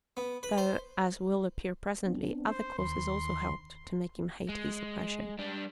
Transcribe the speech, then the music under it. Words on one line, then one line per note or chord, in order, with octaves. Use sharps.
Though, as will appear presently, other causes also helped to make him hate his oppression.
B3
B4
C5
B3 C4 D4
C5
D#2 D#3 B5 C6
G#3
G3 D4